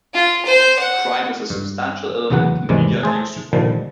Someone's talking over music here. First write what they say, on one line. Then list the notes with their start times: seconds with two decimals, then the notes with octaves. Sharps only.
Crime is a substantial element in media news reporting.
0.14 F4
0.45 C5
0.79 F#5
1.50 G2
2.30 E2 C#3 F#3 B3 F#5
2.69 E2 G#2 C3 D#3 G3 G#3
3.03 G#4 C5 E5 A5
3.53 A#2 D3 D#3 F3 G3